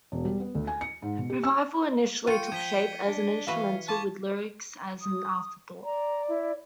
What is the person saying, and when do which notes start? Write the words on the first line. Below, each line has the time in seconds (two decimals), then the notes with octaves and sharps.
"Revival" initially took shape as an instrumental, with lyrics as an afterthought.
0.12 E1
0.25 G3
0.40 B3
0.55 D2
0.67 G#5
0.81 C#7
1.02 G#2
1.18 B2
1.30 G4
1.44 E6
2.27 F4 C#5 G5 C#7 D#7
2.52 F3 G#6 B6 G7
3.07 D4
3.47 E3 F#4 B4 F5
3.89 F4 A5 C#6 D6 G#6
5.01 D#6
5.85 D5 A#5
6.29 E4